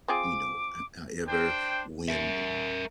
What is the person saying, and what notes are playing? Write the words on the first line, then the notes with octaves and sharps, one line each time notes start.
you know? H however, when
C4 F4 G#4 D6
D4 C5 G5
A#4 E5